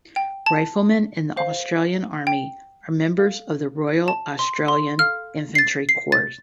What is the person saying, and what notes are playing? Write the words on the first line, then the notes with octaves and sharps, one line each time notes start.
Riflemen in the Australian Army are members of the Royal Australian Infantry Corps.
G5
A5
C5 F5
G5
A4 F5
A5
C6
C6
A4 F5 F6
C7
A6
C7
A6